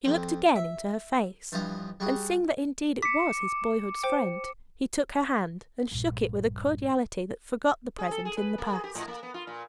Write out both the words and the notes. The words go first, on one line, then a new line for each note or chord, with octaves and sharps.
He looked again into her face, and seeing that indeed it was his boyhood's friend, he took her hand, and shook it with a cordiality that forgot the present in the past.
F2 C4
E5
G2 E3 F3 F4 D#5
G3 F#4 G#4
D6 B6 C#7
C5 G5
A#1 G2
G#4
A4
G#4
B4
A#3
G#4
G4
A2
A#3
B3
F4
A#2